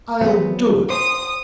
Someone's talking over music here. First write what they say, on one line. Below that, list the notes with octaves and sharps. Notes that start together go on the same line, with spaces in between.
I'll do it....
F#3 B3 C4
C5 D#6